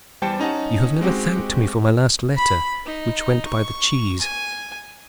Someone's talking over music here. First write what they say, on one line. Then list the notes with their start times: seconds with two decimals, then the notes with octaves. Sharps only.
You have never thanked me for my last letter, which went by the cheese.
0.22 E2 G3 C5 G5 A5 C#7
0.39 C#4 D#4 D#5 F#5 A5
1.01 G#3 C4 F#4 G4
2.37 B5
2.86 D#4
3.47 C#6
4.21 G#5